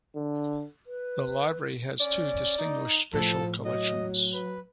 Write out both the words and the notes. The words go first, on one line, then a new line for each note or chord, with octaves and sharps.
The library has two distinguished special collections.
D3
B4
C#4 D5
D#4
A2 F3 A4
F#3 D#5
B4